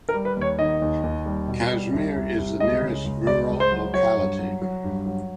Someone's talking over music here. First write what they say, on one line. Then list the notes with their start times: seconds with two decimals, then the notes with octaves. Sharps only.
Kazimir is the nearest rural locality.
0.09 A#4
0.14 G3
0.25 B4
0.37 D#2 C#5
0.59 D#3 D#5
0.82 D#2
1.03 D#2
1.26 G3
1.48 B2
1.71 G3
1.93 C2
2.16 C2
2.38 C2
2.60 C#2 D#5
2.82 C#3
3.05 C#2
3.27 C#2 D5
3.50 C#2
3.60 C5
3.71 F#3
3.94 F#3 C#5
4.17 G2
4.39 F#3
4.62 F#3
4.84 G2
5.06 F#3